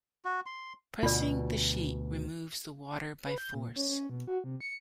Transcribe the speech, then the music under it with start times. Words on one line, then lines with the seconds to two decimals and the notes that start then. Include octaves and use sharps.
Pressing the sheet removes the water by force.
0.25 F#4
0.46 C6
1.03 D2 B2 F4 D5
3.26 B4
3.38 G6
3.54 A#2
3.76 C#4
3.89 C#4
4.10 B2
4.27 F#4
4.44 C3
4.60 C#7